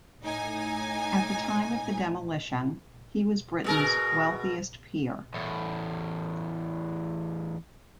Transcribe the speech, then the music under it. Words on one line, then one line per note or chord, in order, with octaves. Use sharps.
At the time of the demolition, he was Britain's wealthiest peer.
A2 D#4 G#5
B2 G#4 A#4
E2 A2